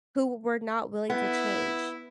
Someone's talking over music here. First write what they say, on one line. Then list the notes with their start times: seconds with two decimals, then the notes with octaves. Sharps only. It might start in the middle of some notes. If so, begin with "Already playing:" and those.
who were not willing to change,
1.10 B3 E4